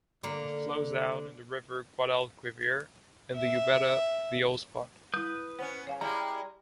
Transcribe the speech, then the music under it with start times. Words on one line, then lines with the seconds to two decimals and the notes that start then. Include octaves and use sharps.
It flows out in the river Guadalquivir, in the Úbeda the Old spot.
0.23 D3 A#3
3.35 E5
5.14 G3 E4 B4 D#6 G6
5.59 B3 C#4 C5
5.87 C#3 C#5 F5 G#5
6.01 G3 G#3 E4 A#5